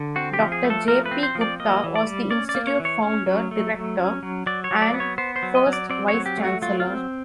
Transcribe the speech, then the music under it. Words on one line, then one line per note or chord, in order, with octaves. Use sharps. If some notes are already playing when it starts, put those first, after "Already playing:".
Doctor J. P. Gupta was the institute founder director and first Vice-Chancellor.
Already playing: D3
C4 F#4
G4
F3
G#4
A3
A4
F3 A#4
B4
C4
C5
F3
D5
A#3 D#5
E3
D5
G3
C#4 D5
D5
A#3
C#5
E3
C#5
C#4
F#3
A3
F#3
C#4
F#3
F#3 D5
C#5
F#3
D5
B3
C#5
B3 C5
C5
F#3
D#5
F#3
D5
C4 D5
C#5
F#3
G4
A3
F#4
F#3 F4
F4
C4